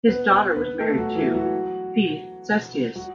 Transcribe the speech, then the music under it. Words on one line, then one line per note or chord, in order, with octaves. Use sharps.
His daughter was married to P. Sestius.
B3 B4
B3 B4
B3 B4
A3 A4
F#3 F#4
E3 E4
F#3 F#4
F#3 F#4